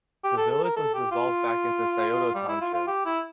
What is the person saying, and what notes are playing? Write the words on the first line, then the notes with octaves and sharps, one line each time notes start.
The village was dissolved back into Scioto Township.
G4
A4
A4
A#4
A4
G4
F4
G3
E4
F4
F4
G4
E4